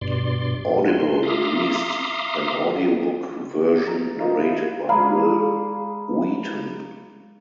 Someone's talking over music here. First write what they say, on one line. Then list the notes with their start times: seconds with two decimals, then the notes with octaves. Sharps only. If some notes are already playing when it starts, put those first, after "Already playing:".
Audible released an audio book version narrated by Wil Wheaton.
0.01 G2 B2 D5 C6
0.88 C6
1.23 E5 F5 A#5 C6 D6 D#6
3.87 A#5
4.18 F#3 A#3 D#4 F4
4.39 E4
4.89 G#3 G#4 D5 F5 A#5 B5